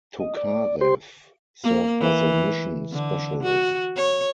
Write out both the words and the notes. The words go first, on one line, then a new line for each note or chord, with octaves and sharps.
Tokarev served as a Mission Specialist.
D#5
D5
G4 C5 C6
A#3
E3
D3
F#4
C#5